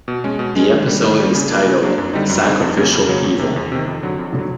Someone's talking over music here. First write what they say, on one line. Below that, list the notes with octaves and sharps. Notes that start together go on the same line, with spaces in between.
The episode is titled Sacrificial Evil.
B2
G#3 C#4
B2
G#3 C#4
D#3
G3 A#3
D#3
G3 A#3
C#3
F#3 A#3 D4
C#3
F#3 A#3 D4
F#2
D3 G3 C4 D#4
F#2
D3 G3 C4 D#4
F2
C#3 F#3 A#3 C#4
F2
C#3 F#3 A#3 C#4
E2
C3 D#3
E2
C3 D#3
F2
D3 F#3
F2
D3 F#3